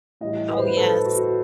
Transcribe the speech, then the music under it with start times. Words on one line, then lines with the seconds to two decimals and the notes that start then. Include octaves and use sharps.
Oh, yes.
0.21 A2 E3 G3 D#5
0.49 B4
0.57 C5
0.65 B4
0.77 A4
1.05 F#4